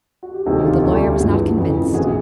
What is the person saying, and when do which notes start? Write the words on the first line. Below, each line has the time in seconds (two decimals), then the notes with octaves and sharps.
But the lawyer was not convinced.
0.23 F#4
0.34 G4
0.46 E1 D2 C3 D#3 F#4 G#4
0.56 G#4
0.64 F4 G4
0.82 D2 D3
1.01 F4 G4
1.19 G1 G2 E3 F#4 G#4
1.57 F1 F2 C#3 E3
1.93 A#1 F#4 G#4
1.97 A#2